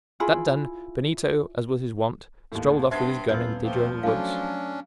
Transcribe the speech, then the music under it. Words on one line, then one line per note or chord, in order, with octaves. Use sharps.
That done, Benito, as was his wont, strolled off with his gun into the adjoining woods.
E4 F4 G#4 B5
D#2 A2
G2 B3 C5 E5 A5 C6 G#6 C7
D#1 B3 E4 F4 G6
F3 A3 A#3 C4 A#4
F#3 A3 C#4 D4 F5 D6